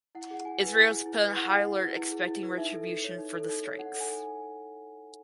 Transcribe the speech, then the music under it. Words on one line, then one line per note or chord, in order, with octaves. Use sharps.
Israel was put on high alert expecting retribution for the strikes.
E4 F#5
G#4 F#5
E4 G#5
B4
E4
G#4
E4
B4
E4 F#5
G#4
E4
B4
E4
G#4
E4
B4
D#4 E5
A4
D#4
C#5
D#4
A4
D#4
C#5
D#4 F#5
A4
G#5